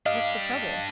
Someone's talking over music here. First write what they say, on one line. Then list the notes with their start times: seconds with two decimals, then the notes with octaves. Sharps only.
'What's the trouble?
0.06 D4 G4 D#5 F5